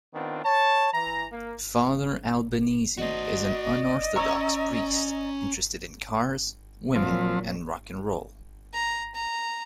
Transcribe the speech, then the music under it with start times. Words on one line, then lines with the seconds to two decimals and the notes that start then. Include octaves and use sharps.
Father Albinizi is an unorthodox priest, interested in cars, women and Rock and Roll.
0.14 D#3 B3 C4 D4 F4
0.45 C#5 A5
0.93 E3 A#5
1.33 A#3
2.98 F#4 C5 D5 D#5
4.16 C#4 C#5 A#5 C#6 E6
6.96 A#2 F3 F#3 C4
8.73 A#5
9.15 A#5